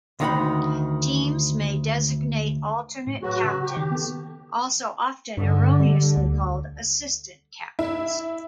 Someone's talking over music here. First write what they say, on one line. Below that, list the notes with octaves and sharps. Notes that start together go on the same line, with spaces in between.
Teams may designate alternate captains, also often erroneously called "assistant captains".
D2 D#3 D#4 A4 F#5 B5
A2
F#3 F#4 G#4 B4
C#3
G4
D#3
B3 A4
G2 D3
G3
D2
E4